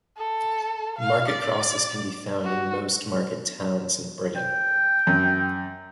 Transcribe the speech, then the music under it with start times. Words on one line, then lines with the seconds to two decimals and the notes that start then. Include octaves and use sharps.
Market crosses can be found in most market towns in Britain.
0.17 A4
0.98 F5
1.29 D5
2.44 F#4
4.36 G5
5.07 F#2